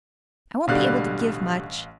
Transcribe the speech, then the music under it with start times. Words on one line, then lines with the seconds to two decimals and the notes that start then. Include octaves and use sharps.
I won't be able to give much.
0.67 A1 B2 D3 G3 F5 F#6